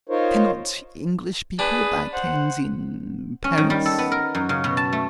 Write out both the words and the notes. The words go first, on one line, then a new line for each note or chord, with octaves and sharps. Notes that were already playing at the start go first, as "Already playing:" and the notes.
"Cannot English people buy canes in Paris?"
D#4 F4 A#4 C5 C#5
D4 G#4 B4
C5 F#5
C#4
D#3
G3
A4
B3
A#4
F#2
C#3
B2
A5
A3